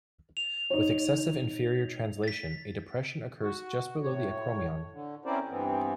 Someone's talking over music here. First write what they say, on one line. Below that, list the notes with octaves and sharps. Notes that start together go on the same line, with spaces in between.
With excessive inferior translation, a depression occurs just below the acromion.
F7
D#4 C#5
A6 B6
F#4
A2 C#5
D3
C4 C#4 E4 A#4 C5 D5
G2 E3 B3 C4